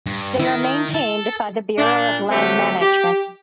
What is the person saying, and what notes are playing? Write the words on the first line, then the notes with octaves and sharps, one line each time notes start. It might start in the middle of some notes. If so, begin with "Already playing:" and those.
They are maintained by the Bureau of Land Management.
G2
D#3 E4
A4
A#2 D4
D3 F#3 A3 C4 G4
G4